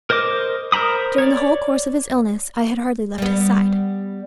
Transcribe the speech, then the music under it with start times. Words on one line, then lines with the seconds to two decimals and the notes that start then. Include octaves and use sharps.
During the whole course of his illness I had hardly left his side.
0.10 A#4 C5 D#5 D6
0.72 A#4 C5 A#5 B5 D#6
1.18 C#5 D5
3.18 G3 B3